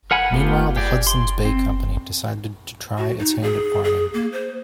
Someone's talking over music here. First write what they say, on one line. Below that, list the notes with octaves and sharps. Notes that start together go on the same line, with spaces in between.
Meanwhile, the Hudson's Bay Company decided to try its hand at farming.
A#4 F#5 G#5 B5
A3 B3 F4 G4
G4 G#4 D5
C6
C4
F#4
D#4
G#4
G#4
A#3
C5